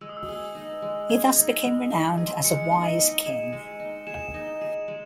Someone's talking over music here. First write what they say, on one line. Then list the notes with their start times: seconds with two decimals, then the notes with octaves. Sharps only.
He thus became renowned as a wise king.
0.01 G#3 E6
0.09 D#6
0.17 E6
0.28 G#4
0.55 D#4
0.82 G#3
1.09 G#4
1.36 D#4
1.63 G#3
1.90 D#4
2.18 G#4
2.44 G#3 C#7
2.72 D#4
2.85 D#7
2.99 D#4
3.26 G#4 E7
3.53 G#3
3.80 D#4
4.07 G#4 E7
4.34 D#4
4.61 G#4
4.88 G#3